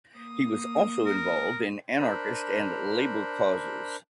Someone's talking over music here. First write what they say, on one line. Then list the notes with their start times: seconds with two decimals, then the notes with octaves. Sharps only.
He was also involved in anarchist and labor causes.
0.16 A#3 D#6
1.06 A#4
1.99 D4 A#4 C5 B5